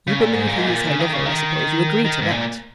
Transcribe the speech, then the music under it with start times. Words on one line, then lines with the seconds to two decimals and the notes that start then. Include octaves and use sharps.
You believe he is her lover, I suppose--you agree to that.'
0.07 C#3
0.20 A#2
0.33 G#2
0.47 A#2
0.58 G#2
0.67 A#2
0.86 C#3
0.99 D#3
1.13 C#3
1.26 D#3
2.05 D#3
2.22 G#2
2.30 A#2